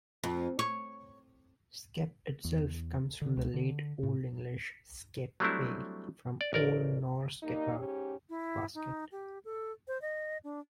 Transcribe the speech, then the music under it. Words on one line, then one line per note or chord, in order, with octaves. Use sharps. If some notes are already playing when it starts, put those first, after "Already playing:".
'Skep' itself comes from the Late Old English "sceppe", from Old Norse skeppa 'basket'.
F2
C#5
E2
D3
C#2
D3
A2
F#3 G3 A3 C4 D4 E4
D5
A1 A#4 D5
G3 A#3 D#4
G#2 C#4 G4
E4
D#4
G4
A4
C5
D#5
D4